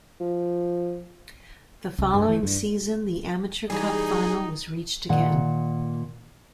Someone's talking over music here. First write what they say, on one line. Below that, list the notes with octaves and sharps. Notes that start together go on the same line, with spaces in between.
The following season the Amateur Cup final was reached again.
F3
C2
G2
E3
G2
E3 G3 D#4 G#4
A#2 D#3 F#5